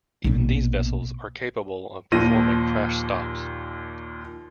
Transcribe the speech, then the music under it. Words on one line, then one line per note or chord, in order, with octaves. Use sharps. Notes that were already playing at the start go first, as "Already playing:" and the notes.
Even these vessels are capable of performing "crash stops".
A#1 B2
D#2 A#2 F3 A#6 D#7